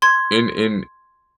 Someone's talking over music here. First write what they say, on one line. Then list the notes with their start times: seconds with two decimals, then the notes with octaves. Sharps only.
in in
0.02 C6 G#6